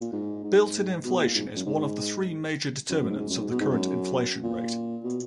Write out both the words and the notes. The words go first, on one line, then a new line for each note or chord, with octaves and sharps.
Built-in inflation is one of three major determinants of the current inflation rate.
A#2
G#2
G#2
B2
A#2
G#2
F#2
G#2
F#2
F#2
G#2
G#2
F#2
G#2
B2
G#2
F#2
A#2
B2